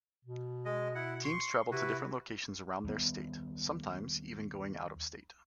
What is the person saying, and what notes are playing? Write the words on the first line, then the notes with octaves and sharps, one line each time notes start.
Teams travel to different locations around their state, sometimes even going out of state.
B2
G#3 D#5
E4 F#5
C6 C#6
C3 E4 F#4 B4
D#2 G3 B3